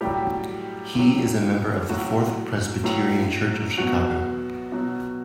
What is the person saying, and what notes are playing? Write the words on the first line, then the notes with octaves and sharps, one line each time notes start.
He is a member of the Fourth Presbyterian Church of Chicago.
A2 F#3 G3 G4
A2 F#3
A2 F#3 F#4
A2 F#3
B2 F#3 F#4
B2 F#3